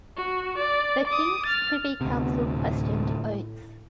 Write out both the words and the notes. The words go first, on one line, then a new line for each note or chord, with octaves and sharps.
The King's Privy Council questioned Oates.
F#4
D5
D6 D#6
F6 A6
D2 C3 B3
A2